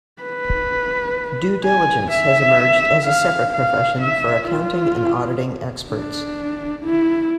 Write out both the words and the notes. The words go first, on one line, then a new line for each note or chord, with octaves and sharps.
Due Diligence has emerged as a separate profession for accounting and auditing experts.
B4
G#5
E5
F5
F5
E5
F4
D4
E4